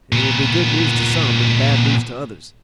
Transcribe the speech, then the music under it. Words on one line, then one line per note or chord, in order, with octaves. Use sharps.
It will be good news to some, an' bad news to others.
A#2 B3